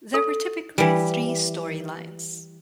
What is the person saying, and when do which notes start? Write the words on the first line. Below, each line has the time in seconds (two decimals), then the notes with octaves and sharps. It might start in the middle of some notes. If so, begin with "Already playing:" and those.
There were typically three storylines.
0.14 A4
0.78 E3 G3